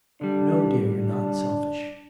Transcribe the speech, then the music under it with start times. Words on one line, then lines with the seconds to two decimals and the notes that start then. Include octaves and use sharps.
'No, dear, you're not selfish....
0.21 D3 G3 D4
0.88 D4